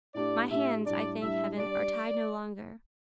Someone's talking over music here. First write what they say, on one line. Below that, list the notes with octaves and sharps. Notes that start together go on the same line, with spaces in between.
My hands, I thank Heaven, are tied no longer.
A2 A3 D4 G4 D5
A2 A3 D4 G4 E5
A2 G3 D4 D5
A2 G3 D4 E5
G3 D4 G4 D5